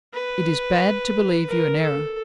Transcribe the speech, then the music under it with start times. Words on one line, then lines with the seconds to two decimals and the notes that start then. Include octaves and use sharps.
'It is bad to believe you in error.
0.14 B4
1.48 A#4
1.83 A4